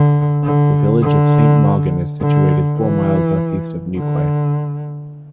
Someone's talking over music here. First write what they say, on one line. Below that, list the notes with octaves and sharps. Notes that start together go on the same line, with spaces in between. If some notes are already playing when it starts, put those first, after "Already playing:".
The village of Saint Mawgan is situated four miles northeast of Newquay.
Already playing: D3
D3
D3
D3
E3
D3